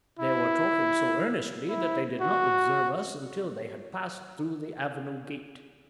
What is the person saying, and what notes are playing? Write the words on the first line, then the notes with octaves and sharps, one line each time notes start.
They were talking so earnestly that they did not observe us until they had passed through the avenue gate.
E4
E4
F#4